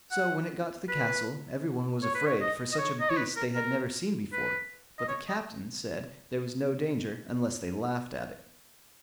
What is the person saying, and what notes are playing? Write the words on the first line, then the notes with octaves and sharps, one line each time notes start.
So when it got to the castle every one was afraid, for such a beast they had never seen before; but the captain said there was no danger unless they laughed at it.
F#5
B4
C#5
B4
C#5
D#5
D#5
C#5
D#5
C#5
B4
A#4
A#4
B4
D#5
C#5
D#5